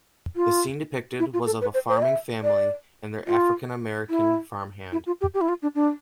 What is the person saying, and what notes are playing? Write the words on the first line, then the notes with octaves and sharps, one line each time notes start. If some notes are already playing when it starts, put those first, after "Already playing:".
The scene depicted was of a farming family and their African American farm hand.
F4
E4
F4
A4
B4
C5
C5
D5
E5
D5
F4
E4
E4
F4
G4
G4
E4
F4
D4
D4